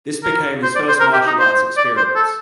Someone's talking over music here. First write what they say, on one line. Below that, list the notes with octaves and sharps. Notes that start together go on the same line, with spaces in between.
This became his first martial arts experience.
A#4
C5
D5
C5
A#4
G4
D#4
C5
D5
C5
A4